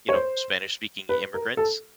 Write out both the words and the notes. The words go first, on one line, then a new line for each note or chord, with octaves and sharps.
you know, Spanish-speaking immigrants,
C#5
C5
B4
A#4
A4